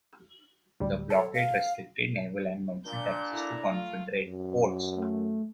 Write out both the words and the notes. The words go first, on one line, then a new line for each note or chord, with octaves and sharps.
The blockade restricted naval and merchant access to Confederate ports.
A1 D2 G3
A4 C#5
F5
A#2 D4 G6
E4 A4 A#5
A3 F4
F#2
A3